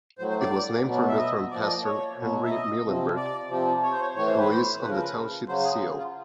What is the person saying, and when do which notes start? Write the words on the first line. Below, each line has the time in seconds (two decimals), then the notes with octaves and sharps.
It was named for Lutheran pastor Henry Muhlenberg, who is on the township seal.
0.19 A2 F#3 C5
0.30 C5
0.40 D5
0.85 B2 F#3
1.08 E5
1.18 D#5
1.51 A#2 F3 D5
1.58 D#5
1.65 D5
1.84 C#5
2.17 B2 F#3
2.44 E5
2.50 D#5
2.83 C3 F3
3.17 D5
3.49 C3 F3
3.83 C#5
3.92 C5
4.01 C#5
4.15 A2 E3 C#5
4.27 C5
4.39 B4
4.52 C5
4.82 C#3 F3 B4
4.91 A#4
4.99 B4
5.47 C#3 F#3 C5
5.64 G#4
5.98 F4